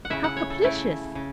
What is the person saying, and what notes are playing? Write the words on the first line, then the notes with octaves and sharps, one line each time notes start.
How caplicious!
F#5
C#3 A3 E4 E5
F#5
C#5
A4
C#3 A3 E4
C#3